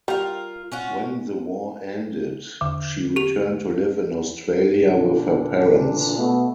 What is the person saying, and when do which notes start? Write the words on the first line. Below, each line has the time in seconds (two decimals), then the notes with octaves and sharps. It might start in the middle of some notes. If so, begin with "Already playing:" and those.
When the war ended, she returned to live in Australia with her parents.
0.08 G3 F4 A#4
0.72 C#4 F4 F#4
2.61 E2 D3
3.16 G4 F7
4.84 A#2 D3 E3 D4
6.17 B2 A3